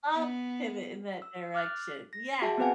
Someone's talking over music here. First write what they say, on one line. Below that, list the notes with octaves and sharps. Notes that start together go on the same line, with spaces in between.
Love to pivot in that direction. Yes!
B3
E6
D6 F6 F#6 A6
A#6
F#4 G#4 E5 G5 A5
B3 C4 F#4 B4 F#5 G#5